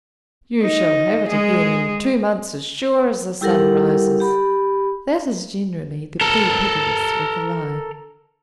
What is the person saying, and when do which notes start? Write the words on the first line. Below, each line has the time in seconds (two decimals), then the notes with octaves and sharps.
"You shall have it again in two months as sure as the sun rises." That is generally the plea piteous with a lie.
0.61 D#4
1.28 G#3 G#4
3.41 G3 E4 G4 A4 A#4 F#5
4.20 G4 B5
6.21 A4 A#4